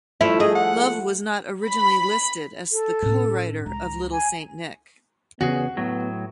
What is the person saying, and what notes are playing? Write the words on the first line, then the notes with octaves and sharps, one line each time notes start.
Love was not originally listed as the co-writer of "Little Saint Nick".
F3 A3 E4
G#4 D#5
F#5
B5
A4
A2 C#4
C#2 A#5
G#5
E2 C#3 B3 F#4 G#4
A2 F#3 B3